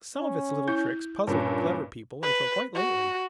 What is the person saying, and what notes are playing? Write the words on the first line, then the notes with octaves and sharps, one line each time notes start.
Some of its little tricks puzzled clever people until quite lately.
C#4
E4 G6
G2 A#2 C#4
B4
F#4